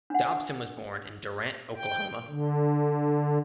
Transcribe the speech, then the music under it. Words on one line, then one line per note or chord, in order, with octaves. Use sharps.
Dobson was born in Durant, Oklahoma.
D4 F#5
G5
D3